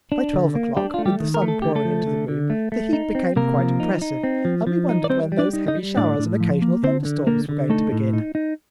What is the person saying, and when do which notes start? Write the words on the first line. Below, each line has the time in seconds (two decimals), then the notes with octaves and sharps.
By twelve o'clock, with the sun pouring into the room, the heat became quite oppressive, and we wondered when those heavy showers and occasional thunderstorms were going to begin.
0.12 D4
0.33 D3
0.55 A#3
0.77 G3 D4 G4
0.94 A3 F4
1.06 G3 G4
1.20 D#3
1.34 A#4
1.42 A3
1.48 A4
1.62 D3 G4
1.75 A3 A4
1.85 F3
2.07 D3
2.28 D3
2.50 A3
2.72 A3
2.93 D#4
3.15 C4
3.36 C3 A#3 A#4
3.59 F3
3.80 D#4
4.02 D#4
4.24 C4
4.45 F3
4.67 F3
4.89 D#4
5.04 D5
5.10 G3 C4 C5
5.32 G3
5.38 D4 D5
5.53 D#4
5.68 D#4 D#5
5.75 G3
5.97 A2 D4 D5
6.19 A2
6.40 F3
6.62 A#3
6.83 D3 C4 C5
7.05 D3
7.27 D3 A#3 A#4
7.49 D3
7.70 A3 D#4 A4
7.92 A2
8.13 D#4
8.35 D#4